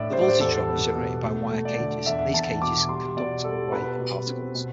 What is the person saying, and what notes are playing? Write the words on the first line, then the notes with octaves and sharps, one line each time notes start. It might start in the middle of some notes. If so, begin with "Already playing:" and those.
The voltage drop is generated by wire cages, and these cages conduct away particles.
Already playing: A2 D4 D5 E5
G3 C5
D5
C5
E2 A4
B3
B2
A3
A3
D5
D3
E2 E5
E2 A5
B2 D6
G3 C6
B2 D5
G3 A4
B2 B4
B2
C4
B2